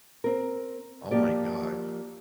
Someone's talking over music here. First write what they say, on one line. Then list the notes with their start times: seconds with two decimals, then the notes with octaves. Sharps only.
Oh my gosh.
0.24 C4 A#4
1.11 F3 A#3 G4 D5